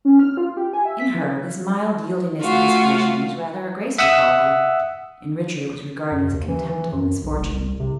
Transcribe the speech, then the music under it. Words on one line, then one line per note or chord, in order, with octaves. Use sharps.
In her, this mild yieldingness of disposition was rather a graceful quality; in Richard it was regarded as a contemptible misfortune.
C#4
F6
F4
G4
G#5
E5
B6
E3
A3 F4 F#4 F5
E5 F#5 D#6 E6 F#6
F#2
D#2
E3
E3
F#2
B1
F1
C2
C3